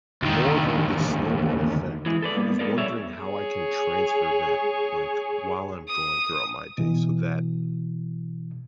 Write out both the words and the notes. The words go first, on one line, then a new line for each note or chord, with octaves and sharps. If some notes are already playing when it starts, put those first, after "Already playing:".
more of on the snowball effect, I was wondering how I can transfer that, like, while I'm going throughout my day so that
D2 D#3
E3 G#3 G#4
A4 B4 D5
G3 A#3 B3
G#2 G3 B3 A4 A#4 D5
G3 G#4 C#5 D5 E5
G#4 C#5
D#6
B2 E3